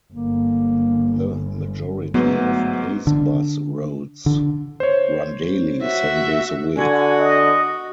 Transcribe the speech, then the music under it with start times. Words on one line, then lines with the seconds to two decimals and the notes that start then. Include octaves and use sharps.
The majority of Pace bus routes run daily, seven days a week.
0.13 G1 A#3
2.14 G#2 F#3 A3 B3
3.07 D3
4.26 D3
4.80 C5 C#5
5.82 F#4 E5
6.77 D3 F#4 G#5
7.19 D#5